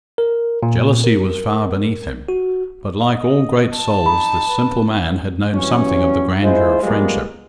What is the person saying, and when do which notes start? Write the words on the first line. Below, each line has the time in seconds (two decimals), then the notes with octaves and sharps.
Jealousy was far beneath him, but, like all great souls, this simple man had known something of the grandeur of friendship.
0.18 A#4
0.63 A#2
1.04 A#4
2.29 F#4
3.04 D#5
3.76 A5
4.06 D#4 B5
4.48 B4
5.54 E3 F#3 G3 C#4
6.43 G#3 E4 F4 C5
6.83 F3 G3 G#3 A#3 B3 F4